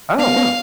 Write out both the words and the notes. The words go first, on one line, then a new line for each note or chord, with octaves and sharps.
Oh, wow.
B3 F5
B3